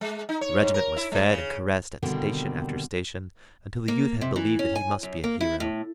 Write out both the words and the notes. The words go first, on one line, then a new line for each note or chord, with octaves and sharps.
The regiment was fed and caressed at station after station until the youth had believed that he must be a hero.
G#3
D#4
C#5
G#2
A#4
E4
G#3
C#3
B2 D3 D#3 G3 A#3 C4
A#3
C3
E3
C#4
G#5
F#2
A#3
E4
A2